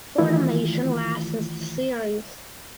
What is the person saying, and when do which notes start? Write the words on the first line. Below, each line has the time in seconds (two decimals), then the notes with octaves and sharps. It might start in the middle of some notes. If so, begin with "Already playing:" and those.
Funimation licensed the series.
0.18 D#3 E3 A3 E4 F4